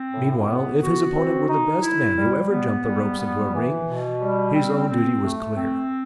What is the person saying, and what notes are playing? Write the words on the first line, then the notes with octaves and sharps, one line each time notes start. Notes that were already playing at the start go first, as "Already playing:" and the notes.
Meanwhile, if his opponent were the best man who ever jumped the ropes into a ring, his own duty was clear.
Already playing: C4
A2
B3
F#4
C4
D#4
E4
G3
B3
G3
B3
E3
B2
G3
C4
C4
A3
C4